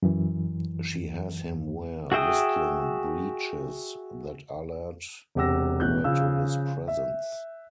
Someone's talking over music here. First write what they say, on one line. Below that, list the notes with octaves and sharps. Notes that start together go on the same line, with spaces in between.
She has him wear whistling breeches that alert her to his presence.
F#2 E3
F#4 G#4 E5 G5 D#6
E1 C3 G4 F#5 E6 A#6
A1 B2 F#6 G6
C#3 F3 F5 E6
E5